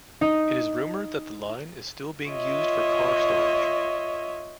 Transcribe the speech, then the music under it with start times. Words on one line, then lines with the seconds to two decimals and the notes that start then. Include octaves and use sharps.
It is rumored that the line is still being used for car storage.
0.21 D#4
2.29 F4 C#5 D#5 E5